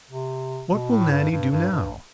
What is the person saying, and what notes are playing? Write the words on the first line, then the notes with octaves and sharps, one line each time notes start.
What will Nannie do now?
C3
B2
A2
G2
G2
G2
G2